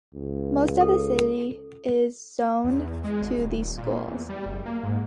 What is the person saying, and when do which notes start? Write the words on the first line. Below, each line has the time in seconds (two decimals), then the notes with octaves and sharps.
Most of the city is zoned to these schools.
0.14 C#2
0.81 A4
2.64 E2
3.04 G#3
3.22 G#1
3.38 D#1
3.77 A#2
4.07 E2
4.29 G3
4.46 F#1
4.65 A#3
4.83 G#2